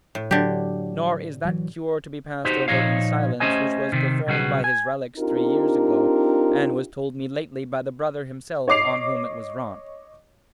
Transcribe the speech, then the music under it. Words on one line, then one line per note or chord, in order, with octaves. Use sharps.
Nor is that cure to be passed over in silence, which was performed by his relics three years ago, and was told me lately by the brother himself, on whom it was wrought.
A2
D3 F#3 G4
E3 F#3
B3 D#4 F#4 G4 C5
A#2 F3 D#4 C#5 F5
A3 C#4 G4 C5 D#5 G#5
C3 D#3
B1 C#3 G3 F#4 G#4 B4
G#5
C4 D4 D#4 F4 G4 A#4
C#5 D#5 D6 C7 F7